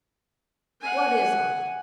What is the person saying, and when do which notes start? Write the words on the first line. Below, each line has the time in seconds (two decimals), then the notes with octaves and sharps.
What is Art?'
0.81 F#5 G#5